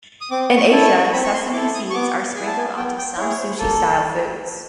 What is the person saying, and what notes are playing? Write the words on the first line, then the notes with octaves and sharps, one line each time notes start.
In Asia, sesame seeds are sprinkled onto some sushi-style foods.
D#6
C4 D6
C#6
E4 A4
C#6
C4 B5
C#6
C6
E4 A4 D6
D#6
C#6
B3 D6
E4 G#4 G#5
A5
G#5
B3 G5
G5
E4 G#4 C#5
C#5
C5
A#3 A4